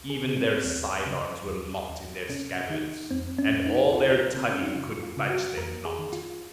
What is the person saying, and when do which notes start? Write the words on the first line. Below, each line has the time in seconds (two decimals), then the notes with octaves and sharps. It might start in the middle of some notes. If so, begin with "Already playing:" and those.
Even their side arms were locked in their scabbards; and all their tugging could budge them not!
Already playing: C#2
0.10 G#4
0.24 C#3
0.37 C4
0.65 D#2
1.06 C#3
1.47 D#2
1.89 D#2
2.29 C3 C#4
2.70 D#3 D#4
3.11 F2 C4
3.38 C#4
3.52 F2
3.67 D#4
3.93 C#2 F4
4.20 A#4
4.34 C#3 C4
4.51 C#4
4.63 D#4
4.75 C#3 F4
5.03 F4
5.17 C#3
5.30 F#4
5.57 F2 A#4
5.85 G#4
5.99 D#3
6.13 F4